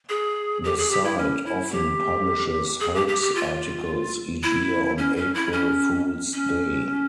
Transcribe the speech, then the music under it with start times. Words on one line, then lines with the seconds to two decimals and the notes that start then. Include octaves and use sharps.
The site often publishes hoax articles each year on April Fools' Day.
0.09 G#4
0.64 G4
0.78 G#4
0.91 G4
1.04 E4
1.18 C#4
1.45 E4
1.72 G4
2.80 G#4
2.95 G4
3.08 G4
3.22 G4
3.35 F4
4.43 E4
4.98 C#4
5.16 C#4
5.34 E4
5.53 C#4
6.33 C#4